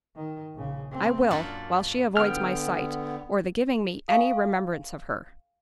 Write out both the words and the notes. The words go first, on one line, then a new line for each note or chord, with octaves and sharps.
I will, while she avoids my sight, or the giving me any remembrance of her.
D#3
A#1 C#3
A3 C4
F#2 A#2 D4 F4 A4 A#5
D3 B3 G5 F6
A4 F5 G5 G#5 A#5 C#6